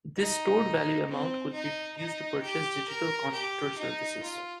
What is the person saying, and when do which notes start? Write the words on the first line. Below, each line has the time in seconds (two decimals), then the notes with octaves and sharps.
This stored-value amount could be used to purchase digital content or services.
0.18 D#4
1.08 C4
1.53 D#4
1.97 D#4
2.43 G4
2.89 A#4
3.33 G4
3.79 D#4
4.23 F4